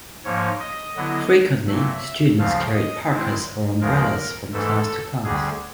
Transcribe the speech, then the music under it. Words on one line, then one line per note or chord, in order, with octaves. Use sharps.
Frequently, students carried parkas or umbrellas from class to class.
G#2 F3 A#3 D#4 C#5
D#5
D3 F#3 B3 E4
A#2 F#3 A3 E5
D2 C#3 F3 A3 F5
D#5
D#3 G#3 C4 E4
D2 C#3 F3 G#3 A#4
G#2 E3 A3 A4
D2 D3 G3 G#4